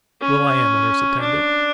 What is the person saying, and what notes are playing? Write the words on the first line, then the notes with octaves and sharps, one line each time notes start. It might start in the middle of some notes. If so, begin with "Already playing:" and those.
Well, I am a nurse-attendant.
C#4
D4